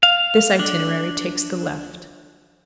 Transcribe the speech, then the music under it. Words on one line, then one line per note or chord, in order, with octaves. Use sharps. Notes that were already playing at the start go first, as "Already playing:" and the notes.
This itinerary takes the left.
F5
D4